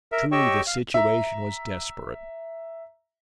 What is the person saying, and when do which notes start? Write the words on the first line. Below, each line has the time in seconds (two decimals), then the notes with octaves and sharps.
Truly the situation was desperate.
0.12 A#4 E5
0.32 G4 C#5 D#5 G5 C#6 E6
0.67 F5
0.94 E5 A#5